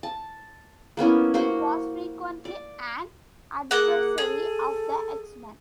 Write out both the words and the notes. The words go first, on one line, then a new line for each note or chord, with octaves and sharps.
He was frequently an adversary of the X-Men.
A5
A#3 B3 C#4 E4
A#3 F#4 C5
D5
A#3 G#4 F#5
G#4 A4